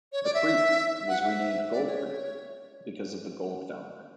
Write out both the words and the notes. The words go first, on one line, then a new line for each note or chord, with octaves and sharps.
The creek was renamed "Gold Creek" because of the gold found there.
C#5
D5
E5
F#5
E5
D5
C#5